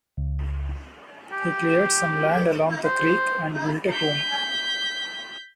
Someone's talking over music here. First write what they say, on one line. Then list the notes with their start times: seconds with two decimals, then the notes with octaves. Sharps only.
He cleared some land along the creek and built a home.
0.17 C#2
1.33 G4
2.85 C5
3.92 G6 B6